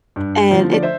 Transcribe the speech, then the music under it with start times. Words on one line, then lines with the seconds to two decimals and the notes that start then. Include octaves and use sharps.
and it
0.16 G2
0.50 D3 F3 A3
0.73 D5
0.83 C5 E5